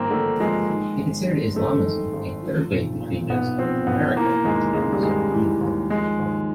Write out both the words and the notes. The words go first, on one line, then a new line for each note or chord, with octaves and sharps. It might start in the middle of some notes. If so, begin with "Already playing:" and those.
They considered Islamism a third way between those of America and the Soviet Union.
Already playing: G#1 G2 F3 A#3 C4
D3 A3
F3 G#3
D#3
G#1
G2
G#1 A3
D#3
G#1
F3
B1
A#2
B1 B3
F3 C4
B1 B3
E3 A#3
D#2 G#3
C#3 G#3
G3
D#2 G#3
E3
D#2
F3 G#3
D#2